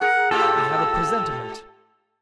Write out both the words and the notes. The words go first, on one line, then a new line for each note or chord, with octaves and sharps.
I have a presentiment.
G#4 A#4 F#5
G#2 F4 G4 A4 E6